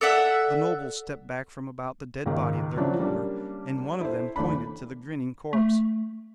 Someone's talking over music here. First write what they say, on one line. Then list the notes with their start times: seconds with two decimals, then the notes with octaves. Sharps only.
The nobles stepped back from about the dead body of their ruler, and one of them pointed to the grinning corpse.
0.01 A4 D5 E5 F#5
2.26 C#2 G#2 D#3
2.77 C#3 F3 F#3 D4 E4
2.99 G3 A#3 C#4 D4
4.01 E4 A4 C5
4.36 D#2 E3 A3 D4 B5
5.53 A3